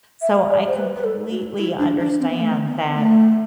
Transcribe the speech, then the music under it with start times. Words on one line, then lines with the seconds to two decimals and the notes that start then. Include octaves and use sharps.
So, I completely understand that
0.21 E5
0.49 D5
0.66 C5
0.76 B4
0.95 B4
1.03 A4
1.30 F#4
1.58 E4
1.78 D4
1.99 D4
2.19 C4
2.29 B3
2.40 A3
2.67 B3
2.94 A3